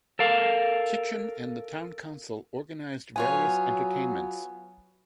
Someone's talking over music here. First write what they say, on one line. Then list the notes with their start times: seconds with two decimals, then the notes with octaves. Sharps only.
Kitchin and the town council organised various entertainments.
0.19 A4 A#4 F5
3.16 F#3 B3 F4 C#5 G#5